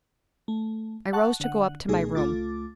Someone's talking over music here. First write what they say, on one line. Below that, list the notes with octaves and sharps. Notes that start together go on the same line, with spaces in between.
I rose to go up to my room.
A3
F#5 A5 C#6 F#6
D3 F#5
C#2 B2 A3 D#4 G#4
C#2 A3 F4 D6 A6